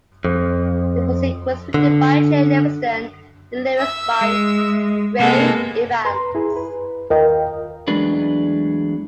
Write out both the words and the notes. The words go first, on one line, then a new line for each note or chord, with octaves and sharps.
The music was written by Jay Livingston, the lyrics by Ray Evans.
F2
D3
E5 E6
G#3
C3 G#3 A#3 B3 A4
B4 A#5 C6
E4 G#4
B4
D#2 F4 A#4 D#5 F5 G5
E2 F#3 G#3 A3 D4 B4